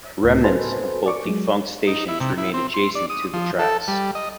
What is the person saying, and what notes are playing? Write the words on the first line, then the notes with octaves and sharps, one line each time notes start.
Remnants of both defunct stations remain adjacent to the tracks.
C#2 A2
F#4 A4 B4 C5 G#5
D5 C#6 D6
F#3 G#3
D#4
E4
C3
E4
C4
C6
D5
D#6
F3
A4
G3
D#5